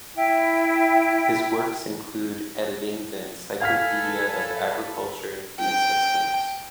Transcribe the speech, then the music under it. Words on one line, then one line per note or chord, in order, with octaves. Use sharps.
His works include editing the "Encyclopedia of Agriculture and Food Systems".
E4 G5
A4 B4 F5 G#5 F6 B6
G5